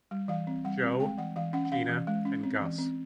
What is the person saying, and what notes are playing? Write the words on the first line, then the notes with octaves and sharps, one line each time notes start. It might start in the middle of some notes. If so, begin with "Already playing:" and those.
Joe, Gina and Gus.
G3
E3 F5
C4
G3 F#5
C4
G#3 G5
E3 F#5
E3 F5
C#4 F#5
F#5
C#4 F5
E3
G#3
C#4
C4
E3
C4